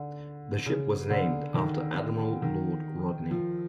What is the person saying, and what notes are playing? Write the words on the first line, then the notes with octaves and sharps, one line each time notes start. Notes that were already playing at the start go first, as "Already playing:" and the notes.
The ship was named after Admiral Lord Rodney.
Already playing: D3
C#3
D3
D#3
D#3
F3